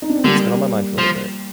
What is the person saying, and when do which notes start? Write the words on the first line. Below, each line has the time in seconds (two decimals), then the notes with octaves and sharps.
it's been on my mind for little bit
0.02 D#4
0.10 D4
0.16 C4
0.24 D3 G3 A#3
0.98 F3